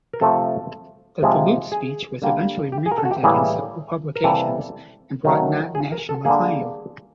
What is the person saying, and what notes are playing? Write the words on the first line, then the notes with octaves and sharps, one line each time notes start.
The Duluth speech was eventually reprinted in several publications and brought Knott national acclaim.
A#4
C3 F3 A3 A4
C3 F3 G#3
G#4
D3 G3 A#3
G4
G#4
A#4
A4
F#4
G4
A2 E3 G3 A#3 G#4
A#4
C3 E3 G3 A#3 A4
D#3 F#3 A3
G#4
A#4
A4
D3 G3 A#3 G#4